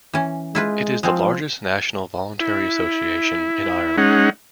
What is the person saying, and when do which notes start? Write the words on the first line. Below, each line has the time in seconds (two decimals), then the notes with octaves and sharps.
It is the largest national voluntary association in Ireland.
0.13 E3 C#4
0.55 G#3 E4 F4 B4
1.03 F3 G#3 C4
2.40 E4
3.98 G#3 C#4 D#4 F#5